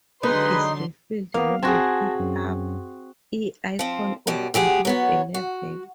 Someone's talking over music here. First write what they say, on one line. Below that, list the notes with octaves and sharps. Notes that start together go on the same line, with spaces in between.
It is refilled when you pick up "E" icons or complete a level.
D3 F#3 G#3 D#4 B4 C6
A#3 B3 F5
C4 F#4 G#4 A5 G#6 A#6
F#2
F3 C4
F#2 B2 G3
D2 G4 G#4 F#5
F#3 B3 C#5
F#4